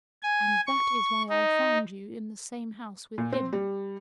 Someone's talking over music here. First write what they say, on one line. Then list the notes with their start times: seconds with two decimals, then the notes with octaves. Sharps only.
"And that is why I found you in the same house with him."
0.23 G#5
0.66 C#6
1.29 D#4
3.18 A#2
3.32 C4
3.53 G3